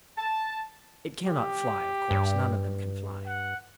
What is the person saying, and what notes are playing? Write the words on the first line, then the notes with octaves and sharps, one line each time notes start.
It cannot fly, of course: none of them can fly....
A5
G4
G2
F#5